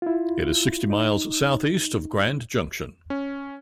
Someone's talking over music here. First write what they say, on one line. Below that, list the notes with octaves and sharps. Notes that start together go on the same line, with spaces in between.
It is sixty miles southeast of Grand Junction.
E4 F4
D#4
C#4